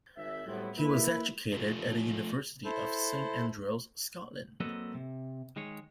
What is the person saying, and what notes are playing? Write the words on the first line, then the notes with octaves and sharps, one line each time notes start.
He was educated at the University of Saint Andrews, Scotland.
G#1 E5
A2 F#3 G3 B3 C4 E4
A#3 E4 B4
F3 A3
E4 A4 C5
F#3 A#3 C4 A4 B4 D#5
C3
D#3 G#3 G#4 C#5